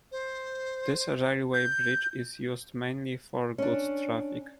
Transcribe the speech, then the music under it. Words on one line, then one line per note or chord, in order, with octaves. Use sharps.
This railway bridge is used mainly for goods traffic.
C5
G6
C#4 D4